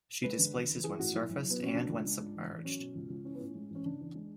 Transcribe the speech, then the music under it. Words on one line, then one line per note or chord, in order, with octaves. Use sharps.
She displaces when surfaced, and when submerged.
G#3 B4
D3
E2
E2
E3 G#4
A2 F#4
B1 E4
B1
F#3
B3
B2 C#4
C#2 D4
C#2
G#3
G#2
A1
A1
F#3 C#4
B2
C#2
C#2
E3 C#4
B3
A2 C#4
G#3
A1
C#4
C#3 D4
E2
G#3